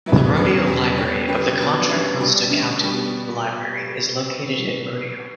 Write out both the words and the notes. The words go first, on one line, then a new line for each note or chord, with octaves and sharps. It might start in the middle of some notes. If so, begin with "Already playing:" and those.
The Rodeo Library of the Contra Costa County Library is located in Rodeo.
F#3 B3 E4 B4
E2 C#3 F#3 B3
E2 C#3 G3
G3 B3 D4 G4 C#5
D3 G3 C#4 G4 B4
B2 F#3 B3 D4
G3 C#4 E4 B4
B2 G3 D4
D3 A3 C#4
B2 G3 B3